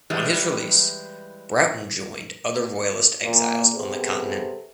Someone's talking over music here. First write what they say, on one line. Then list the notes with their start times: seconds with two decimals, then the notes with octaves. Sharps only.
On his release Broughton joined other Royalist exiles on the Continent.
0.10 E3 G3 G#3
3.23 A#2
3.73 C3 B3 C4 G#4 A4